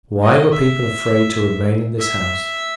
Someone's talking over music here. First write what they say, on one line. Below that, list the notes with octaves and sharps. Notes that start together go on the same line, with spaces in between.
Why were people afraid to remain in this house?
D#5
E5
E5